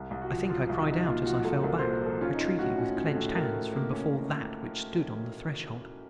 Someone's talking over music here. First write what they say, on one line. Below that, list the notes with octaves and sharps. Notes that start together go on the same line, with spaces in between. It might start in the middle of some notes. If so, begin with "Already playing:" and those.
I think I cried out as I fell back--retreated with clenched hands from before THAT which stood on the threshold.
Already playing: C2
C2
F#4
F3
F3 F4
C2
D#4
C2
A#2 F4
F3 F#4
C2 A4
C2 A#4
C5
A#2
A#4
F3 A4
C#4 F4
D#4
C#4 F4
A2 F#4
C#4
C#4
A4
A2
A2 A#4
A2
A#3
C#4